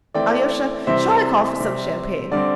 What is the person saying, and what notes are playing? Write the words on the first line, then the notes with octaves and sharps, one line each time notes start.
Alyosha, shall I call for some champagne?
E3 A3 C4 D5 G5
C3 E3 G3 C4 C5 E5
C3 G3 C4
D3 G3 C4 D5